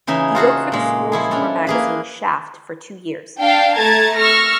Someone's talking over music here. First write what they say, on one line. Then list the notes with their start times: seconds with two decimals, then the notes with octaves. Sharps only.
He wrote for the school humor magazine, "Shaft", for two years.
0.07 C#3 E3 D#4 E5 G#5
0.35 F4 F#4 G#4 A4
0.72 A#2 G#3
1.12 F3 E4 G#4
1.31 C#4 D4 A4
1.67 A#3 G#4 B4
3.40 D4 F5 G5 A5
3.76 A3 A5 A#5 G#6 A6
4.16 C#6 E6 F6 A#6